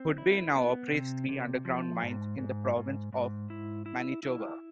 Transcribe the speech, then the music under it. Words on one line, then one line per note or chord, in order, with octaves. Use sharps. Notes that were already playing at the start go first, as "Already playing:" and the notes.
Hudbay now operates three underground mines in the province of Manitoba.
Already playing: C4
E4
B3
C3
C3
F3
G#2
G#2
G#2
G#2
E4
E4
E4